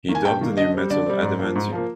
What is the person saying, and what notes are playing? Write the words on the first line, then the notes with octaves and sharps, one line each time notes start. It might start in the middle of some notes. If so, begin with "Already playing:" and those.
He dubbed the new metal adamantium.
D#3 A#3
G#5
G2 G5
D#3 A#3
D3 D#5
G3 C4
D3 D5
G3 C4
G#2
F3 A#3
G#2
F3 A#3